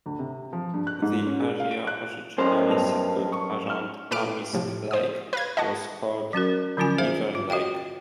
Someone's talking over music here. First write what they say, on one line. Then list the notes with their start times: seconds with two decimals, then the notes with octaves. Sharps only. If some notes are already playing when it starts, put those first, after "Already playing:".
The area originally settled around Amisk Lake was called "Beaver Lake".
0.06 D2
0.19 C3
0.53 F3
0.74 G2
0.87 F#6
1.02 G#2
1.27 C#4
1.41 G#4
1.60 F5
1.71 D7
1.87 F#6
2.38 F#2 C#4 A#4 C5
2.69 G2 B3 F7
3.32 C#6
3.67 F6 E7
4.11 A#2 A4 B4 D6 F6 D7
4.53 A2 C3 F3
4.91 C5 D#6
5.33 B4 F5 G#6
5.57 D#5 F#5 A5 C#6
6.33 F#3 C#4 F#4 A#4
6.77 D3 F3 F#3 C#4 F4 G#5
6.98 G#4 C5 E5 F5
7.35 F4
7.50 F#4 D#5 F5 G5